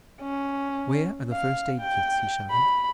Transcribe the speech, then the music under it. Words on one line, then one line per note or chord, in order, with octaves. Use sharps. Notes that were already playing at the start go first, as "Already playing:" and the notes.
"Where are the first-aid kits?" he shouted.
C#4
F5
G5
B5